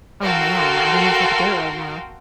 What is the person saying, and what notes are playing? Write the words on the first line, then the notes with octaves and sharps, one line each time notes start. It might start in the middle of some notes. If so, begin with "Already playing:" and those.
Oh, man, I don't know if I could do it right now.
F#4 A4 A#4 F5 G5 C6